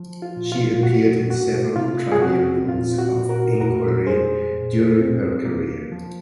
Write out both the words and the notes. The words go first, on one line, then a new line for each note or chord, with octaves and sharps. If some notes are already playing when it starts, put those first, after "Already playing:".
She appeared in several tribunals of inquiry during her career.
Already playing: F3
F4
A#2
F4
G#2 F#4
A#3 F#4
C3 F4
G#4
C4 F#4
A#2 F4
F#4
A#2
F#4 A#4
F2 F#4 A#4
F2 G#4 C5
A#2
C4
A#3
F3